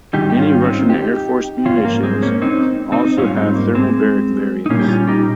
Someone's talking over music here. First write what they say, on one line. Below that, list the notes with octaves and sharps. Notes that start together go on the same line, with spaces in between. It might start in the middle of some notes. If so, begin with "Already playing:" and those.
Many Russian Air Force munitions also have thermobaric variants.
G#2 D#3 G3 D#4 G4
G4
C#4 F4
C4 D#4
F4
D#4 G4
G#2 F3 C#4 F4
A#3
G#3 C4
A#3 C#4
C4 D#4
C4 D#4
G#2 G3 C#4 F4
C4 D#4
A#3
G#3 C4
D#4
A#2 G3 A#3 C#4
G4
C#4 F4
D#4 G4